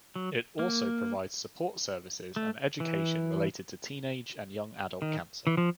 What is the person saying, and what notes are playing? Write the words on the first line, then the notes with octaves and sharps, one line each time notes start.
It also provides support services and education related to teenage and young adult cancer.
F#3
A#3
A3
E3
D#3
E3
F3